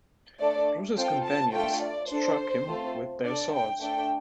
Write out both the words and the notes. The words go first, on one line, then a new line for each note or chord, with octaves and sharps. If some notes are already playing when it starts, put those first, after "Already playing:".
Bruce's companions struck him with their swords.
A3 D4 A4 D5
C4 F4 A4 G5
A5
A3 D4 F4 A4 G5
D5
D4 A4 C5
A3 C4 F4 A4
D4 A4 D5
G5
A3 D4 A4 G5